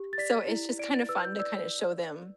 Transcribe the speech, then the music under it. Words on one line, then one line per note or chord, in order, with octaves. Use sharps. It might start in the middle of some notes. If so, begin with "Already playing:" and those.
so, it's just kind of fun to kind of show them,
Already playing: G4
A6
D5 B6
E4
D5 D7
A6
B4 E6
G6
D5 E6